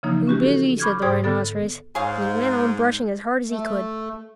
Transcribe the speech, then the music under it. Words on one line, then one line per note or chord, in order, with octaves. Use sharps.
"Too busy!" said the rhinoceros, and he went on brushing as hard as he could.
C#3 E3 F3 A#3 D#4
C#4 F#4 G4
A4
B5 C#6 D6 F6 G6 G#6
G#2 G#4 C5 D5 G5 D#6
D3 B3 A4 A6
G#2 G#4 C#5 F5
A3